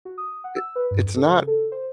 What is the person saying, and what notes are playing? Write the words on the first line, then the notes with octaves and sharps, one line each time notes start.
i it's not
F#4
D#6
F#5
E6
B4
G2
F2
A4
C#3
A4
C5